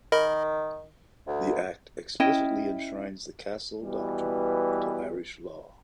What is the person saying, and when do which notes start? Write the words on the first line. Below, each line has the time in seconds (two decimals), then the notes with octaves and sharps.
The act explicitly enshrines the castle doctrine into Irish law.
0.12 D#3 A#4 D#5 B5
1.27 D2
2.20 C#4 E4 D#5 G5
3.81 B2 E3 G3